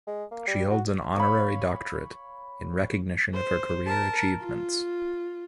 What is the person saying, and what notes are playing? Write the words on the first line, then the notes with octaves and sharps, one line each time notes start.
She holds an Honorary Doctorate in recognition of her career achievements.
G#3
A#3
G3
F#4
C#5 F5 B5
C5
A#4 A5
F4